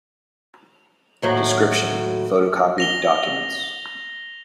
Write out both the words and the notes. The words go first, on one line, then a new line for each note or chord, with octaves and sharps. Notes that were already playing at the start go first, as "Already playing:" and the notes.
Description: photocopied documents.
D#2 A2 F#3
A#6 F7 G7